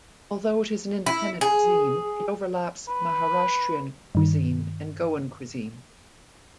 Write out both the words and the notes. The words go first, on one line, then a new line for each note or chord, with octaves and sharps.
Although it is an independent cuisine, it overlaps Maharashtrian cuisine and Goan cuisine.
E4
G#4
B4
G2 D#3